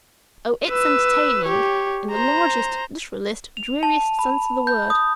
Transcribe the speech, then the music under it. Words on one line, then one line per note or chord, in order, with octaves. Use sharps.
Oh, it's 'entertaining' in the largest, literalist, dreariest sense of the word.
B4 E6
G4 C#5
C5 A#5
F7
A5
B5
G6
D#6